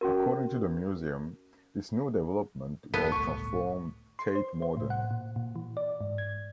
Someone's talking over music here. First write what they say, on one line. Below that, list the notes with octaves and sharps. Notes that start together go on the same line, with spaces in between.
According to the museum: This new development will transform Tate Modern.
C#4 F#4 A#4
D1 A#1 F#2 B3 A4
G1 C#2 A2 C#6
C6
C5
C5
A2
F#5
A#2
A#2
E3
D5
G#2
G#6